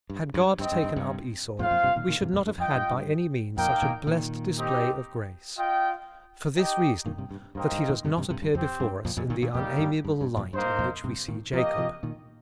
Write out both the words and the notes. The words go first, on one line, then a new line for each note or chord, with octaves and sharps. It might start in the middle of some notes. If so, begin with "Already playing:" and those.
Had God taken up Esau, we should not have had by any means such a blessed display of grace; for this reason, that he does not appear before us in the unamiable light in which we see Jacob.
G2
G2
G2 C4 D#4 C5 D#5 G5
G2
G2
G2 C3
F2 A#2 F4 C5 F5
F2 A#2
G2 C3
A#2 D#3
A#2 D#3
G2 C3
F2 A#2
G2
F2 F4 D#5 G5
G2
G2
F2 A#2 A#3 D#4 A#4 G5
A#2 D#3
A#2 D#3
C4 D#4 G4
F4 D#5 G5
D#4 G4 D#5 G5
A#2 D#3
G2 C3
G2
G2 A#3 D#4 C5 D#5 G5
G2
A#2 D#3
G2 C3
G2 C3
G2 C3
G2
F2 C4 G4 C5 G5
G2
F2 A#2
F2 A#2
A#2 D#3
A#2 D#3
F2 A#2 G3 A#3 D#4 G4
G2
G2
G2
F2 A#2
G2 A#3 D#4 C5
F2 A#2
G2 C3
A#2 D#3
C3 F3 A#3 G4 D#5
C3 F3
A#2 D#3